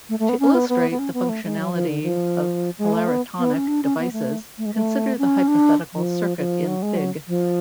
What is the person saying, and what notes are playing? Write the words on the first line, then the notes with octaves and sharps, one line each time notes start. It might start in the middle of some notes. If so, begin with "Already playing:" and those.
To illustrate the functionality of polaritonic devices, consider the hypothetical circuit in Fig.
A3
A3
B3
C#4
B3
B3
B3
C#4
B3
A3
G#3
F#3
F3
D3
F3
G#3
A3
B3
B3
C#4
D4
C#4
B3
A3
A3
G#3
A3
C#4
D4
F3
F3
F#3
G#3
F#3
F3